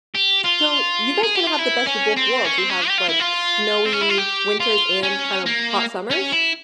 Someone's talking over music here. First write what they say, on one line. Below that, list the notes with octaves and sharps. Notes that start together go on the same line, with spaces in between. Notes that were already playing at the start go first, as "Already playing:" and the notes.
Stow, you guys kinda have the best of both worlds. You have, like, snowy winters and kind of hot summers?
G4
F4
G#4
G4
F4
E4
C#4
C4
C#4
C4
C#4
G4
F4
E4
F4
C4
C#4
E4
F4
G4
F4
C#4
A#3
C#4
E4